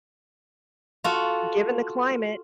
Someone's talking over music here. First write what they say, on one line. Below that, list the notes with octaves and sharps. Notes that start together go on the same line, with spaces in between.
given the climate,
F4 F#4 A4